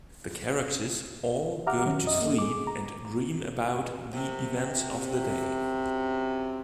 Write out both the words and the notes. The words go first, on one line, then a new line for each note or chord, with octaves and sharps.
The characters all go to sleep and dream about the events of the day.
G4 E5 F#5 A#5 D6 F6
D#3 F#3 C#4
F#2 C#4 D#5
A#3 A4
G#4 D6
A#5
F#2 C3